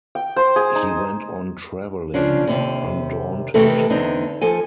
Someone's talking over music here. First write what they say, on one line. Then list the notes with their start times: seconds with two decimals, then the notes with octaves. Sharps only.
He went on traveling, undaunted.
0.15 G5
0.36 C5
0.56 G#4
0.75 D#4
2.14 C#3 F3 D4
2.47 D#2 C3
3.54 C3 D#3 E3 A3 C4 A4
3.90 E2 D3 C4 D#4
4.41 F3 A4 G#5